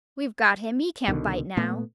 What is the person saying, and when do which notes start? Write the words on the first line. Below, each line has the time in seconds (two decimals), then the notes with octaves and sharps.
"We've got him; he can't bite now."
1.08 C2 B2 D3 D#3
1.57 A#2 A3 B3